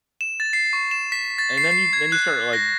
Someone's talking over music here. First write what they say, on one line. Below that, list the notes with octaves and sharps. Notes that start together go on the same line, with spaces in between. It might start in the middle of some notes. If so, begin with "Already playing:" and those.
And then you then you start, like,
E7
A6
C7
C#6
E7
B6
A6
C7
C7
G#6
F#6
A#6